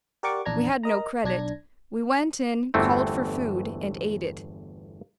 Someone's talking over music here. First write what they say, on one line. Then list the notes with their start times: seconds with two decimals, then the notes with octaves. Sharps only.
We had no credit; we went in, called for food and ate it.
0.23 G4 A#4 D5 F#5 C#6 D6
0.45 A#1 E2 D4 A#5 G#6
0.83 A#4 D#5 A#5
1.24 B1 D4 G#6 A#6
2.74 G1 E2 E3 A3 C4